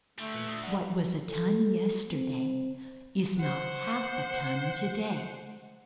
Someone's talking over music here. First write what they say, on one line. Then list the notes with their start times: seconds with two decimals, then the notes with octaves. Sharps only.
What was a ton yesterday is not half a ton today.
0.19 D3 G3 A3
0.34 A#2 E4 B4 C#7
0.49 D2 D#6 E6
0.64 D5 F#5
1.28 A4
2.09 C4
3.39 C5 F#5